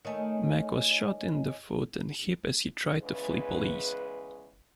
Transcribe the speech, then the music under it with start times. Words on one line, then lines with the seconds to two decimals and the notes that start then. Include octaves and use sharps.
Mack was shot in the foot and hip as he tried to flee police.
0.05 D#3 A3 C#5 D#5 G#5
3.02 E2 C#3 G#3 B4